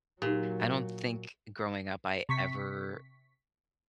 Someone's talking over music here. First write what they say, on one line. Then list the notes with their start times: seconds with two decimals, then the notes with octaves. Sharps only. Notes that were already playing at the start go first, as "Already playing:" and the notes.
I don't think growing up I ever
0.22 A#2 F#3 D#4 G4
2.29 C3 C#6 B6